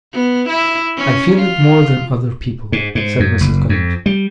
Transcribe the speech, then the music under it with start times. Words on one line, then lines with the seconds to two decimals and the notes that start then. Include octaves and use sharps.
'I feel it more than other people,' said Mrs. Gummidge.
0.13 B3
0.50 E4
0.97 C#4
1.39 F4
2.72 G#2
2.95 G#2
3.20 F#2
3.41 F#1
3.69 F2
4.06 G3